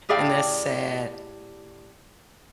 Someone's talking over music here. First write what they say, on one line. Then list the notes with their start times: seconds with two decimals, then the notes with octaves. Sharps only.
and that's sad.
0.09 A2 G4 G#4 D5 F5 G5